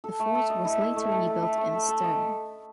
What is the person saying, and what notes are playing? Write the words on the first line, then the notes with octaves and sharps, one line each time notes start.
The fort was later rebuilt in stone.
A4
A3
A4
D#5
E4
E4
A3
A4
A4
E4
A3
A4
A4
D#5